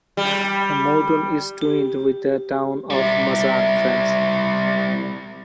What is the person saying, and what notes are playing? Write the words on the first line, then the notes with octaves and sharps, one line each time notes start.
Moudon is twinned with the town of Mazan, France.
G3
G4
G3 E4